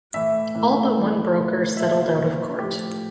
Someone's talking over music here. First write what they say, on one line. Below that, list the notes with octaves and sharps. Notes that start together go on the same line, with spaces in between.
All but one broker settled out of court.
A2 E3 E5
A2 E3
A2 E3
A2 E3
A#2 F3 E5
A#2 F3
A2 F3 G4